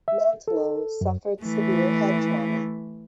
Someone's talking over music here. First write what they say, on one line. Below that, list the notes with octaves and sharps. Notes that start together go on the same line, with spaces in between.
Mantlo suffered severe head trauma.
E5
A4
F#2
E3 A3